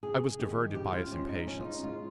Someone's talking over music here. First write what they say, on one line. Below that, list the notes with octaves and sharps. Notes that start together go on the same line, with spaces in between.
I was diverted by his impatience.
C3 G#4
D#3 G#3 G4
C#3 G4
F4
F3 G#3 C#4
D#4
C#3 C#4
F4
D#4
G#3 F4